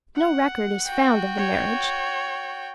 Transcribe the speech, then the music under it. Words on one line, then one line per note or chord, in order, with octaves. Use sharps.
No record is found of the marriage.
F#5
F#4 G5
C#5